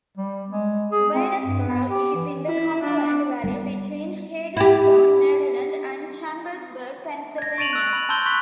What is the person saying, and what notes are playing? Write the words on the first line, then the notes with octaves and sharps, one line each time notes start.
Waynesboro is in the Cumberland Valley between Hagerstown, Maryland, and Chambersburg, Pennsylvania.
G3
G#3
G#4
C4
G2
B3
G4
E3
E4
D4
G3 A3 B3
E4 G4
G#6 A#6
C#6 A6 D7 D#7 F7 F#7
E6 F#6
B5 F#7
A5 C6 E6 G6 G7
B5 C#6 F#6 B6 F#7 G7